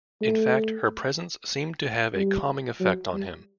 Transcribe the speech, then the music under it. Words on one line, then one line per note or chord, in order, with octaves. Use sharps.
In fact, her presence seemed to have a calming effect on him.
A3
G3
F#3
G3